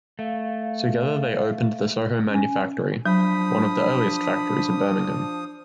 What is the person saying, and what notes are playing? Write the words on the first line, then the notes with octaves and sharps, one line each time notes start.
Together they opened the Soho Manufactory, one of the earliest factories in Birmingham.
A3 F5
C#4 G#5
F3 F#3 D4 B5 D#6